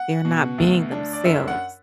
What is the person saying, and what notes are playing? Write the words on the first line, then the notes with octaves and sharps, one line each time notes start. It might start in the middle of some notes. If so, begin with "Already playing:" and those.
they're not being themselves,
Already playing: F#5
B2
D2
D4
D5
F#2 E5
F#5